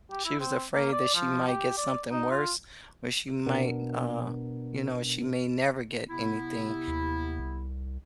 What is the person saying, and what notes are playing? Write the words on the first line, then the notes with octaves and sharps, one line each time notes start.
She was afraid that she might get something worse or she might n uh, you know, she may never get anything,
G4
E4
C4
A#3
D5
F3
G4
D5
D#4
F4
B2 B3 D4 A#4
C3 B3 E4
D#2
C2